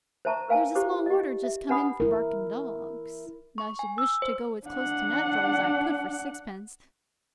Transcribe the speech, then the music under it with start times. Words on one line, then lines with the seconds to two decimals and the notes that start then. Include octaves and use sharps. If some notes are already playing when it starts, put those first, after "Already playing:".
There's a small order just come in for barking dogs; and I should wish to go as close to Natur' as I could for sixpence.
0.25 C5 D5 E5 A5 A#5 C#6
0.48 A#4 B4 F5 G#5 A5
0.75 E4 G4 C5 D6
1.06 G4 D#5
1.43 E5
1.69 D4 B4 F#5 B5 D#6
2.00 E4 A#4
3.58 C#6
3.79 G#5
3.98 E6
4.22 C5
4.67 D4 F#5